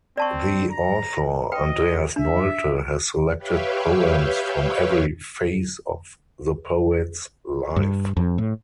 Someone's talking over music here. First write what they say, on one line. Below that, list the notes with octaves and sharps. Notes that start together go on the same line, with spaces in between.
The author, Andreas Nolte, has selected poems from every phase of the poet's life.
C4 D5 A5 C#6
A#5
B4 D#5 G5
D4 E5
G4 B4 C#5 E5 F5 G5
G2
F2
A2